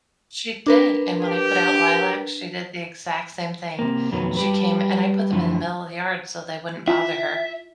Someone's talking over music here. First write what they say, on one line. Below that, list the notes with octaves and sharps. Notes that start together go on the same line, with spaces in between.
She did, and when I put out lilac, she did the exact same thing. She came and I put them in the middle of the yard so they wouldn't bother her,
D4 A#4 B4
G4
C3 A#3
F2 B2 D#3 F#3 A3 B3
G3 G4 B4
F#2 D3 F3 A3 E4
E4 F4 E5